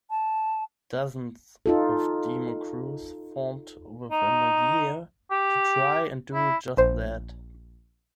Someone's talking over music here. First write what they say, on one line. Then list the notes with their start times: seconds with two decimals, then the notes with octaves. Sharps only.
Dozens of demo crews formed within a year to try and do just that.
0.10 A5
1.66 D#4 F4 A4
4.11 D#4
5.31 G4
6.34 E4
6.77 A#1 C5